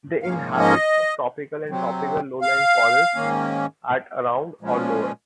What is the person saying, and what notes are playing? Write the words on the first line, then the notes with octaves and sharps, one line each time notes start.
They inhabit sub-tropical and tropical lowland forests at around or lower.
G#2 F3 A#3 C#4 F5
D#5
C3 F#3 C4
F5
G#2 D#3 A#3 C#4
A#2 F3 G#3 C#4